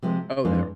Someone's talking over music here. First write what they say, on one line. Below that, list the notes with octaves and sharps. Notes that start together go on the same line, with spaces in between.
Oh, there
C3 F3 G#3
F2 E3 G#3 D4